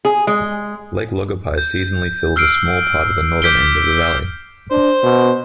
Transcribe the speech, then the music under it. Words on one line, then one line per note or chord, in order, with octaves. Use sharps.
Lake Logipi seasonally fills a small part of the northern end of the valley.
G#4
G#3
G6
E6 F6 C7 D7
D6 G6 B6 D7 G7
D4 C5
B2